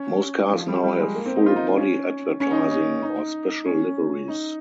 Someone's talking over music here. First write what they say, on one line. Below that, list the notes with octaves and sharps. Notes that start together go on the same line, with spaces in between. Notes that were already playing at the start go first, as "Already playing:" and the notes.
Most cars now have full body advertising or special liveries.
Already playing: C#4
F3
G3
G3
G#3
A#3
C4
D#4
F4
D#4
D#4
C#4
C#4
D#4
D#4
C#4
D#4
C#4
D#4